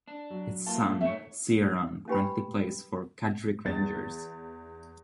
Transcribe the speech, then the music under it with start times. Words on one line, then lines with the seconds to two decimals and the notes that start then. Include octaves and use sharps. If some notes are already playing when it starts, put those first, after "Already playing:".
His son Ciaran currently plays for Carrick Rangers.
0.08 D4
0.30 F#3
0.67 A3 A#3 F4 A5
1.01 A3 D#4 C#5 E5
2.08 C#4 D4 G4 B4 G5 B5
3.65 E2 A6